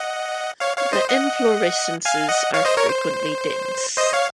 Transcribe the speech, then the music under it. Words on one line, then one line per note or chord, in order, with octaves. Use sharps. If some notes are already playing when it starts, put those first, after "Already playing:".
The inflorescences are frequently dense.
Already playing: D#5 F#5
C#5 F5
C#5 F5
C5 D#5
D#5 F#5
F5 G#5
D#5 F#5
C#5 F5
C5 D#5
A#4 C#5
C5
C5 D#5
C#5 F5